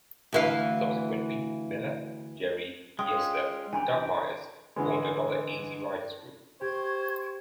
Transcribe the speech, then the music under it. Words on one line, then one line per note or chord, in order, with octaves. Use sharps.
Subsequently, Miller, Jerry Yester, and Doug Myres formed another Easy Riders group.
D2 E3 F5
G#3 C#4 F4 G5 C6 D#6
E3 C#4 D4 G4 G#5 C6
D3 E3 G#3
G4 C5 C#6 G#6